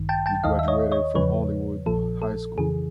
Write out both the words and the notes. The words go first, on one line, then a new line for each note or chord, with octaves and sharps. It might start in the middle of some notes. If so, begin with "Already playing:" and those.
He graduated from Hollywood High School.
Already playing: A1 G2 D#3
G5 A5
G5 A5
D#2 D#3 D#5 F5
E5
C#5 D#5
C#5 D#5
E2 C#3 F3 B4 C#5
A#1 A#2 F3 A4
A4
F2 C#3 E3 G#4